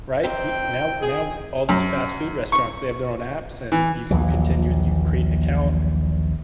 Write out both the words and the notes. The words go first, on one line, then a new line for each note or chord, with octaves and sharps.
Right? We now now all these fast food restaurants, they have their own apps, and you can continue you can create an account,
F2 D#3 C4 G5
G#4
F#2
C#6
E3
A#1 D#2 E3 F#3